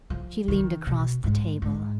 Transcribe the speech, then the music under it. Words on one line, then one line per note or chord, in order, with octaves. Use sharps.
She leaned across the table.
F3
D#3
B2
G#2
G#2